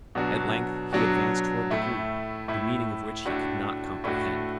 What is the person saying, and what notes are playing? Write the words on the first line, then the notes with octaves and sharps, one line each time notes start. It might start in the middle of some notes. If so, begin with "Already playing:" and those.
At length he advanced toward the group, the meaning of which he could not comprehend.
B2 F#3 D4 F#4
B2 F#3 D4 F#4
A2 A3 E4
A2 A3 E4
A2 A3 D4 F#4
A2 A3 D4 F#4